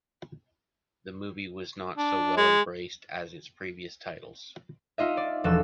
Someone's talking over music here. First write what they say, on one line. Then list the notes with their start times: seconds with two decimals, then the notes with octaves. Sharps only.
The movie was not so well-embraced as its previous titles.
1.98 D4
2.37 G#3
4.98 D#4 F4 D#5 E5
5.17 D5
5.44 E1 F3 F#4 A4 E6 E7